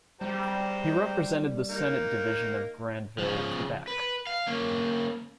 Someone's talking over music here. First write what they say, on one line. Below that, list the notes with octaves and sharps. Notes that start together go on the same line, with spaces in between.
He represented the Senate division of Grandville, Quebec.
G3 G4 C5 A#5
A#3 D#4
C#3 F3
B4
F5
A#3 C#4